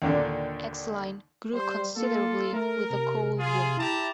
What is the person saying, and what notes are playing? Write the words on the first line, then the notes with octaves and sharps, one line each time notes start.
Exline grew considerably with the coal boom.
D#2 A#2 D3 D4
G3 C5
A#3 F4 A4
A3 A#4
C3
F4 G#4
E4 G4 A5 A#5